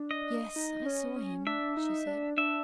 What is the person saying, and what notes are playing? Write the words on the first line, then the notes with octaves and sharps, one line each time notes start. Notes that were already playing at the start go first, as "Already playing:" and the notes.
"Yes, I saw him," she said.
Already playing: D4
D#5
D#4
C#4
C#4
D4 E5
D#4
D4
D4 E5